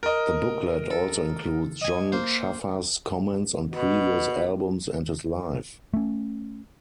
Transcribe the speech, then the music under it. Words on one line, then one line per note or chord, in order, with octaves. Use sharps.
The booklet also includes Jon Schaffer's comments on previous albums and his life.
A#4 D#5
A4
D#5 G#5
A#3 C5
B2
A3 C#4